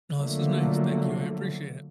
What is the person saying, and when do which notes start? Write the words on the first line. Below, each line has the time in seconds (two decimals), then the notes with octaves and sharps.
No, this was nice. Thank you, I appreciate it.
0.18 D3 F3 F#3 A3 A#3